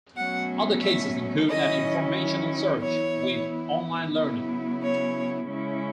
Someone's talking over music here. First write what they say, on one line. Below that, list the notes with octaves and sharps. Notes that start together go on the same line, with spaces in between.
Other cases include an Informational search with online learning.
B2 F#3 A3 C#4 F#5
E5
D#3 F#3 C#4 E4 D#5
E3 B3 E4 C#5
C#3 F#3 B3 E4
C#5
C#3 G#3 C#4 E4